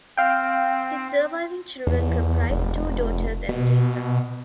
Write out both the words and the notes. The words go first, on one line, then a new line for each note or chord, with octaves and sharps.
His surviving children comprise two daughters and three sons.
C4 F5 G5
E2
F1
B2